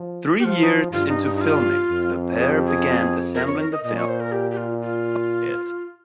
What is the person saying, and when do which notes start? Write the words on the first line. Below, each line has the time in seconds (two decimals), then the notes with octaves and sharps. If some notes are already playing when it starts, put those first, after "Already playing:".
Three years into filming, the pair began assembling the film and editing it.
Already playing: F3
0.39 G4
0.44 F3 F4
0.60 D#4
0.92 G2 F4
1.09 D#4
1.24 D#4
1.36 D#4
1.41 F4
1.90 F2
2.38 G#4
2.52 G4
2.66 G#4
3.35 A#4
3.47 C#5
3.60 A#4
3.72 D#5
3.84 A#2 D#5
3.97 C#5
4.09 C5
4.20 A#4
4.32 G4
4.51 G4
4.57 F4
4.82 F4